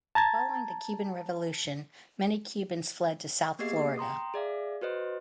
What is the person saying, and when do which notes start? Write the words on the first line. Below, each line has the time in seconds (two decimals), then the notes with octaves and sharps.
Following the Cuban Revolution, many Cubans fled to South Florida.
0.15 A5 A#5 G#6 A6
3.59 A#3 B3 G4 G#4 D#5 C7
3.98 G5 A#5 C6 D#6
4.34 G#4 D5 E5 F5
4.81 F#4 B4 C5 D#5